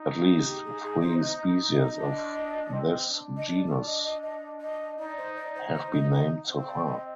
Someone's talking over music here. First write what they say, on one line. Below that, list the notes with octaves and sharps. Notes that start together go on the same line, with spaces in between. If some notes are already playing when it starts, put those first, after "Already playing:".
At least three species of this genus have been named so far.
Already playing: D#4
G#4
G4
G#4
G#4
C5
D#5
D#5
D4
C4
D4
D#5
D5
D5
D#5
D#5
D#5
D#5
D#4 D5
C5
D5
C5
C5
D#5
D#5
C4 C5
D5
D#5